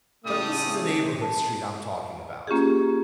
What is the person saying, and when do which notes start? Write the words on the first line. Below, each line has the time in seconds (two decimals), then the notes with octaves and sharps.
but this is a neighborhood street I'm talking about,
0.25 A2 C#3 G3 A3 D#6
1.22 A5
2.47 A#3 C#4 F4 G4 G#4